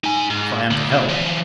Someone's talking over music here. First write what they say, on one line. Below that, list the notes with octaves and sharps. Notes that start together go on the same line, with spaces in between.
"If I am to help...."
D#4 G#5
G#2
D2
B2
E3 F3